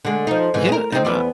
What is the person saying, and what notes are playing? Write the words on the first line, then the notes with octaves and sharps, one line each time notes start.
Yeah, and, uh
D3 G#3
F3 D#4
G#2 E3
G#4 A#4
C4 D#4
E2 B3 D5